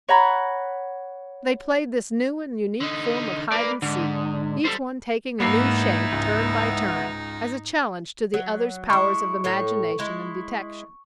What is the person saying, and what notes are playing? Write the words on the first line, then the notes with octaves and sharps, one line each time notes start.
They played this new and unique form of hide-and-seek, each one taking a new shape, turn by turn, as a challenge to the other's powers of imagination and detection.
C#5 F#5 A#5 B5
D3 D#4
A#3 B4 D5
G#2 D3
G3 A4 C5
G#2 A#3 B3 D#4 E4 C7
C#2 G#2
F#3
G#3 E4 C#6
A2 C#5
G#3 E4